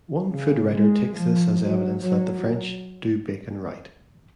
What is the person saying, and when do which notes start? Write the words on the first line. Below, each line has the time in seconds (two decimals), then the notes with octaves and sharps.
One food writer takes this as evidence that the French "do bacon right".
0.31 C#3
0.74 G#3
1.17 F3
1.59 F#3
2.02 F#3